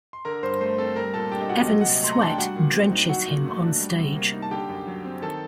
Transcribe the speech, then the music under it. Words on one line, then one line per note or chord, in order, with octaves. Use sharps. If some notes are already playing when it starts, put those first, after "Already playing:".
Evans' sweat drenches him on stage.
C6
D3 A#4 A#5
G2 C5 C6
A3 C5 C6
C4 A4 A5
G3 A#4 A#5
A#2 A4 A5
D4 G4 G5
D#5
A#2 F#4 F#5
F#3 D#5
C3 F#5
D#5
A3 C6
A#5
D4 A5
G5
G3 F#4 F#5
A#2
C4
D#4
F#3 F#4 F#5
A#2
A3
D4
G3
C3
A#3
D#4
A5
D3 G4 G5
F#2
F#3
C4
D#3 A4 A5